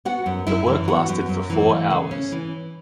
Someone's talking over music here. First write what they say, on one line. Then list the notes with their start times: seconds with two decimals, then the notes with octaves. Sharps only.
The work lasted for four hours.
0.05 B3 F#4 F#5
0.26 F#2
0.47 F#2 E4 E5
0.67 E3
0.88 B3 F#4 F#5
1.09 F#2
1.29 F#2
1.50 E3
1.69 A3
1.90 C#3
2.11 C#4
2.32 E3